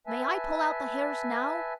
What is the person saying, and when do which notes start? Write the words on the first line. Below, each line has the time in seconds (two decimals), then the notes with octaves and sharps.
"May I pull out the hairs now?"
0.07 B4 E5 G#5 A5